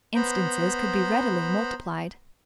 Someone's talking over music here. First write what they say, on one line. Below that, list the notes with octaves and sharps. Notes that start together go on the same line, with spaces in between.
Instances could be readily multiplied.
B3 C5 A#5 B5